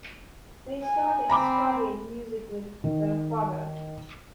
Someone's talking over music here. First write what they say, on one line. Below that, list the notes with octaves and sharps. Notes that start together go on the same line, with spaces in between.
They started studying music with their father.
G#5
C4 A#5 B5 D6
D#3